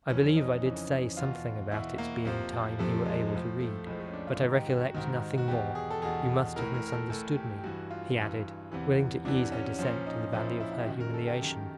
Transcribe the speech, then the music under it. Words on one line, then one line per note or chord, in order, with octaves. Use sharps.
"I believe I did say something about its being time he were able to read, but I recollect nothing more.--You must have misunderstood me," he added, willing to ease her descent to the valley of her humiliation.
F2 C#3 E3 C#4
D#4
F2 C#3 E3
E2 B2 F4
E2 B2 E4
A#3
F2 C3 F3
F2 C3 F3 A3
G#3
A2 F3
A3
A2 F3 G#3
A3
C#4
D4
F4
G#2 D#3
G4
F#4
F#4
G#2 D#3
F#4
E2 B2 G4
G#4
A4
E2 B2 G#4
A2 E3 A#4
A#4
A#4
A4
A2 E3 A4
G4
G4
G2 E3 F#4
F4
G2 E3
E2 C3 E3
E2 C3 E3 D4
C#4
A#2 F3 C#4
D#4
A#2 F3 E4
E4
E4
E4
G4
F#2 D#3 F#4
A#4
A4
G4
F#2 D#3